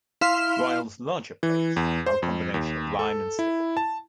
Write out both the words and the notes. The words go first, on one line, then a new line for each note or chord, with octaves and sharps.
Ryall's larger plates are a combination of line and stipple.
E4 F5 C6 F6
E3
E2
C5
F2
D#2
A4
E4
A5